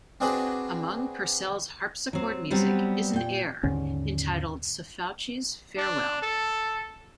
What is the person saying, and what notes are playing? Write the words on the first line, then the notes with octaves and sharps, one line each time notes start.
Among Purcell's harpsichord music is an air entitled "Sefauchi's Farewell".
C4 D4 F#4 G#4 B4
F#3 C4
F#3 G3 B3 C4
A#2 G5
D#2 G#2 D3 C#4
D4
A4